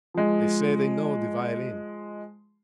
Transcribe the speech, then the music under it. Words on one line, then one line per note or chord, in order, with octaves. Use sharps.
They say they know the violin.
F3 G#3